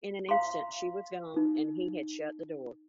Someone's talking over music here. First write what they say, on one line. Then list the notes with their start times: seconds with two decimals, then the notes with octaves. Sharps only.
In an instant she was gone, and he had shut the door.
0.29 F5 A#5 C6
1.37 D#4